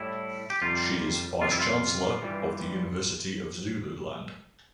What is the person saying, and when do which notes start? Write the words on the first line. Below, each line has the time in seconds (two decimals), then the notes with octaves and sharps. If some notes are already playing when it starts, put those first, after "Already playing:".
She is Vice Chancellor of the University of Zululand.
Already playing: A2 G3 E4
0.50 G4
0.62 F2 C3 G3 F4
1.41 F2 C3 G3 F4
1.51 E4
1.60 F4
2.22 G2 E3 G3